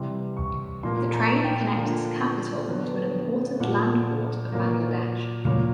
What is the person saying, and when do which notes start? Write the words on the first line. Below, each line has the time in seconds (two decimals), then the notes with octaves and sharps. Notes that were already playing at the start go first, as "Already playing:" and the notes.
The train connects capital to an important Land port of Bangladesh.
Already playing: C3 E3 G3 C6
0.37 C#6
0.83 A#2 F3 A#3 C6
1.13 A#5
1.44 G5
1.75 D3 F3 A#3
2.68 D3 F#3 B3
3.60 A#2 F3 A3 F#5
4.52 A#2 F#3 A#3
5.45 A#2 F#3 A#3